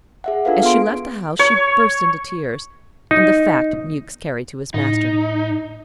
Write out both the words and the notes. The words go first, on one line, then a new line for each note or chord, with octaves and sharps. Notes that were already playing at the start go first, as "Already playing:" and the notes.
As she left the house she burst into tears; and the fact Mewks carried to his master.
G#4 E5 F#5
D4 F4 A4 B4 F5
B3 G#4 C6 D7
C#5
D#4
A2 D#4